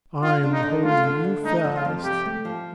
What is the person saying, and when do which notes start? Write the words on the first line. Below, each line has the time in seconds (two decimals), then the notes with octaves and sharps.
"I am holding you fast!"
0.22 D3 F4
0.43 D4
0.53 D#4
0.63 D3
0.83 A3 F4
1.03 D3
1.24 D4
1.44 A3 D#4
1.64 F3
1.75 F4
1.85 F2
2.04 C3 G4
2.26 A3
2.45 F3